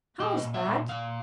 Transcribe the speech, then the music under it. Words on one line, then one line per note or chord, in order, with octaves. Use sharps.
"How's that?"
A#2 D#5
A#2
E5
A#2
A#2 F5